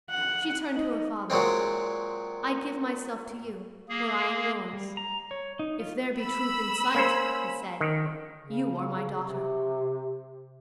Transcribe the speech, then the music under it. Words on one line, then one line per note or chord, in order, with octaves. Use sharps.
She turned to her father--"I give myself to you, for I am yours." "If there be truth in sight," he said, "you are my daughter."
F#5
D#4
A#2 F#3 G#3 C4
A#3 G#4
G3
A#5
C#5
D#4
F4
B5 E6
A#3 C#4 C5
D#3
C#3
C3